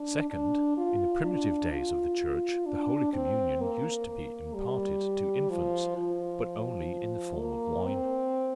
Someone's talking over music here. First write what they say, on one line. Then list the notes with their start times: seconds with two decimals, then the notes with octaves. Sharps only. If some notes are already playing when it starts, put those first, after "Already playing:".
Second--In the primitive days of the Church the Holy Communion used to be imparted to infants, but only in the form of wine.
Already playing: D4
0.30 D4
0.77 F4
1.24 D4
1.72 F4
2.66 D4
3.13 C4
3.61 A#3
4.08 A#3
4.55 G3
5.50 F3
5.97 F3
7.39 A#3
7.85 C4